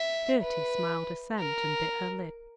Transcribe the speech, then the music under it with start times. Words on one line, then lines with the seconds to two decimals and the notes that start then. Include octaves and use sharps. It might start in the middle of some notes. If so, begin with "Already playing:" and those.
Gerty smiled assent and bit her lip.
Already playing: E5
0.42 B4
1.39 A#4